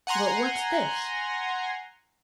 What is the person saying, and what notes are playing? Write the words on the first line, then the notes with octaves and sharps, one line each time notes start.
"But what's this?"
F#5 G#5 A#5 C6